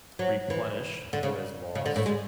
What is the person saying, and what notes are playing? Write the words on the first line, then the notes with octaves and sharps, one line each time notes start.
replenish what is lost,
F#3
E3
D3
C#3
C#3
D3
A2
G#3